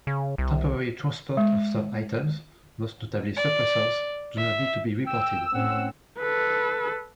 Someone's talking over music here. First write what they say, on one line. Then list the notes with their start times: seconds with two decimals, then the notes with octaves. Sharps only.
Temporary transport of some items, most notably suppressors, do not need to be reported.
0.07 C#3
0.38 C2
1.37 G#3
3.37 D5
4.37 E5
5.06 G5 E6
5.54 A2 C4 C#4 F#5
6.19 A4 B4